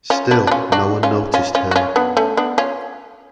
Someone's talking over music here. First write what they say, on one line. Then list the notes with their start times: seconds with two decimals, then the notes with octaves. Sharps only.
Still no one noticed her.
0.10 C#4 F4
0.31 B3 D4
0.47 D4
0.51 C#4 F4
0.72 D4 F#4
1.03 C#4 F4
1.34 C#4 F4
1.55 C#4 F4
1.71 F#4
1.76 C#4 F4
1.96 B3 D4
2.17 A3 C#4
2.37 B3 D4
2.58 C#4 F4